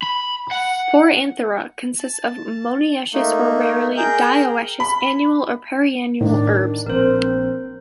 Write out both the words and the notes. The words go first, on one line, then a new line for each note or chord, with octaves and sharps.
"Poranthera" consists of monoecious or rarely, dioecious annual or perennial herbs.
B5
F#5
A5
A3 A#3 D#4
G#4 A#4 G5 A#5 G6
B5
A2 D#3 D4
A#1 C4 A#4 C5